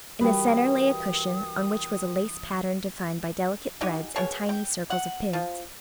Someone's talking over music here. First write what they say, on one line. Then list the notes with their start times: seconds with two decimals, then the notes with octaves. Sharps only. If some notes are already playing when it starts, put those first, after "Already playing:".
In the centre lay a cushion on which was a lace pattern defined by delicate threads and tiny circles of pins.
0.21 E3 G3 F#4 A#4 B4 G5 D#6
3.81 D#4 F#4 G4 G#5
4.16 B2 G#4 A#4 C#5
4.49 G5
4.90 F#5
5.33 F3